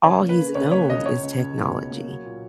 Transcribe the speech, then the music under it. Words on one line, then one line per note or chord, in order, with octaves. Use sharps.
all he's known is technology,
C#3 C#5
A#3
B4
C#3
C#2 C#5
A#3 C#5
C#3 D#5
C#2 C#5
C#2
C#2
B2
C#2
A#3
F#3
A#2